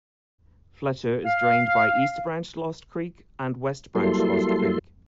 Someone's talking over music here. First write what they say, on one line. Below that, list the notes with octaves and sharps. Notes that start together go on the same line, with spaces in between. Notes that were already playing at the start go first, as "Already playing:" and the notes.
Fletcher is drained by East Branch Lost Creek and West Branch Lost Creek.
F5
F#3 G3 A#3 E4 A4 C6